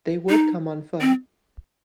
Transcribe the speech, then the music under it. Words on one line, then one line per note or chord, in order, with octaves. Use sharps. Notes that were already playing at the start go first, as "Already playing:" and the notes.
They would come on foot.
D#4
C4